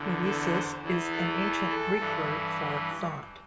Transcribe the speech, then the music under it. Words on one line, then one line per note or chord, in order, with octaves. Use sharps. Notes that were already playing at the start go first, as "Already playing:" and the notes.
"Noesis" is an Ancient Greek word for "thought".
Already playing: E2 D3
A4
C5
E2 E3
A4
A4
A4
G2 E3